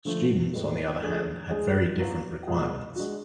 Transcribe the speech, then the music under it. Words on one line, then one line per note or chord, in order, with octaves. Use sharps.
Students, on the other hand, had very different requirements.
D3 F3 A3
A2 G#3 B3
F3 A3 D4 G#4
G#3 D4 G#4
F#3 B3 F4
B2 G#3 B3 F4 G#4
G#3 D4 F#4